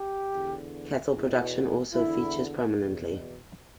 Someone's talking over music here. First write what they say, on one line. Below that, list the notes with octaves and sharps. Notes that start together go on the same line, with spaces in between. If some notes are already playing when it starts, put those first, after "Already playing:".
Cattle production also features prominently.
Already playing: G4
E2 D3
E2 B2
E2 D3 E4
E2 B2